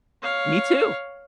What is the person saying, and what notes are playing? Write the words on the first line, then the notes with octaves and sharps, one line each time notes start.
Me too.
C#5 F5